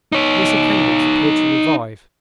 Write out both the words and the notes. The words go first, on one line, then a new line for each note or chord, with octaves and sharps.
Mr Kenwigs appeared to revive.
D#4 C#5